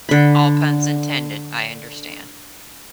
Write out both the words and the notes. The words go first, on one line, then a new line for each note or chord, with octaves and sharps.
All puns intended, I understand.
D3 B5